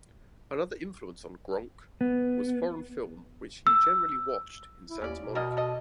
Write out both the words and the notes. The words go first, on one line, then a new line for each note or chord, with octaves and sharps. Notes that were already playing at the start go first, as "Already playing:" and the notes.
Another influence on Gronk was foreign film which he generally watched in Santa Monica.
B3
E6
E4
D#2 C#4 D5
B2
G3 A#3 D#5
A4 D#5